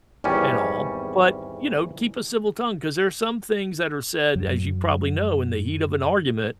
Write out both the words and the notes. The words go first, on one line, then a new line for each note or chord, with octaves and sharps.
and all, but, you know, keep a civil tongue, 'cause there are some things that are said, as you probably know, in the heat of an argument,
G#1 E2 G3 C#4
F#2 F#3